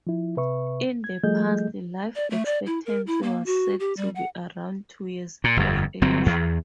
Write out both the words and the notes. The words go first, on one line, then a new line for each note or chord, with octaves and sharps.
In the past, life expectancy was said to be around two years of age.
F3 E4
C3 B4 E5 C#6
G#6
F3 G3 A3 G#4 D#5 G6
D5
A3
D5
E4
A#4
E4
A#3
F#4
G4
G3
F#5
A#2
G1 F2
G1 F#3 C4
E2